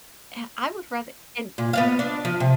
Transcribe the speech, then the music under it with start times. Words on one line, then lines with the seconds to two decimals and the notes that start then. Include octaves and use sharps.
I I would rather and
1.58 A#2
1.73 B3 D5 F5
1.99 D4
2.25 F3
2.40 C3